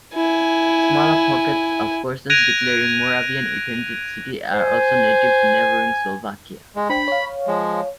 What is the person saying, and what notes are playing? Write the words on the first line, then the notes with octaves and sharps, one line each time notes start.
Smaller pockets of persons declaring Moravian ethnicity are also native to neighbouring Slovakia.
E4 G#5
F#6 G#6 A#6 D7 D#7 F7
C5 G#5
G#3
D4 C5 G5 B5
C#5 F5
F3 G#3